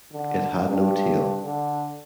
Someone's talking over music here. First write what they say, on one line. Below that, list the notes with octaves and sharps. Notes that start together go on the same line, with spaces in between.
It had no tail.
D3
G2
D3